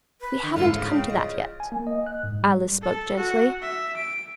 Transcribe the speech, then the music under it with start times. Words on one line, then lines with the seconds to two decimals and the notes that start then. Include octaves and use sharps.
"We haven't come to that yet," Alice spoke gently.
0.21 B4
0.43 D3
0.56 G#2 E4 F4 A4 F5
0.75 C#3
0.92 G5
1.10 F4 D#5
1.60 G#5
1.72 A#3
1.87 D#5
2.07 F#6
2.23 G#2
2.43 G3
2.82 A4
3.16 F#4
3.62 E5
3.97 D7